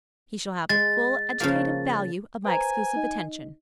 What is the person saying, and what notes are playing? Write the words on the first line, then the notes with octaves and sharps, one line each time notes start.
He shall have the full educative value of my exclusive attention.
G#3 A6
C#3 F3 A#3
B4 C5 G#5 A#5
D#4 D#5